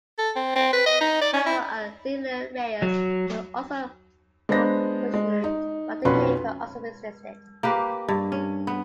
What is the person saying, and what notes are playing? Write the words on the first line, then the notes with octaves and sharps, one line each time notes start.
Marrow and Cecilia Reyes were also propositioned by the King, but also resisted.
A4
C4
C4
B4
D#5
D#4
D5
C#4
E4
F#3
G#3 B3 D4 C5 A#6
G#3
D#4
B1 F2 C#4 F#4 B4 C6
A#3 G4 B4
G2
C#4
B3